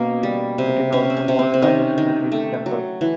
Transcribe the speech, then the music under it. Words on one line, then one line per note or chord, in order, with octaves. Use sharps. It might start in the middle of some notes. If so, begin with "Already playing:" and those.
It is also the world's largest Buddhist temple.
Already playing: B2 A#3 C#4
G3
C3
C3 C#4
C4
C#4
C3
C4
C4
D#3 C#4
D#3
A3
F#3
E3